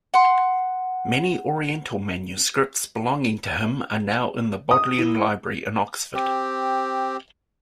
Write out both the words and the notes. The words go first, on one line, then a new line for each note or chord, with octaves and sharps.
Many oriental manuscripts belonging to him are now in the Bodleian Library in Oxford.
F#5 C6
D#6
E4 D#5
C4 G4